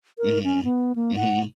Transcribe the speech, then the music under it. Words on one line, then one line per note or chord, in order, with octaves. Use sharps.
Mhm, mhm.
A#4
C#4
B3
A#3
F#5